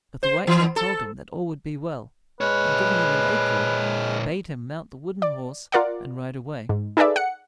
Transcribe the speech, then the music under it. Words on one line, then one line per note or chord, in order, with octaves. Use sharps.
But the White Cat told him that all would be well, and giving him an acorn, bade him mount the wooden horse and ride away.
C5
E3
A4
A#2 G#3 B4 C#5 F6
D5
F4 A#4 D5 F#5
G#2
D#4 G#4 A4 B4 D5 E5
F#5 C#7